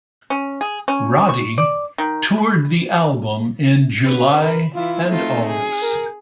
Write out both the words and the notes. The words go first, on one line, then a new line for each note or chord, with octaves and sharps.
Roddy toured the album in July and August.
C#4
G#4
C#4
C#6
D5
D#3
B5
C#3 B4
A#4 B5
E3 E4 F4
A3 C4 D#4 F4
G#4
A#4